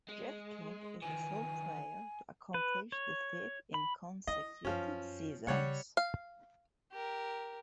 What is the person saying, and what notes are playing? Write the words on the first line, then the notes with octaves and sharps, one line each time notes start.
Jeff King is the sole player to accomplish the feat in consecutive seasons.
G#3
D#3 E3 G#5
B4
C#5
B5
E4 D#5
F#2 F3 C#4
C#3 G3 C#5 F#5
F5
G4 A#4